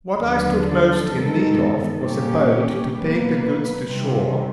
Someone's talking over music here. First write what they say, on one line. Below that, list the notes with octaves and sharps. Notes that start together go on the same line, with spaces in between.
What I stood most in need of, was a boat to take the goods to shore.
D#2 D3 F#3 B4
A4
G2 D#3 G#3 B3 D#4
A#2 G3 A#3 C#4 G4
B2 F#3 A#3 B4
C3 D#3 G3